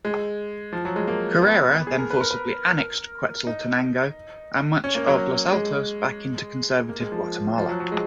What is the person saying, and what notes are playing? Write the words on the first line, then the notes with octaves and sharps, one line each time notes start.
Carrera, then forcibly annexed Quetzaltenango and much of Los Altos back into conservative Guatemala.
G#3
F3
F#3
G#3
A#3
B3
B3
G#4
A#4
B4
A#4
B4
A#4
D#4
C#4
A#3
F#3
G#3
A#3
G#3
F3
F3
F#3
F#3
G#3